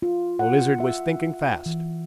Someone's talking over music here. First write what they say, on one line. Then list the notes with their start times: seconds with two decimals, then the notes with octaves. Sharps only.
The Lizard was thinking fast.
0.02 F4
0.39 F#5
0.80 E5
1.66 E3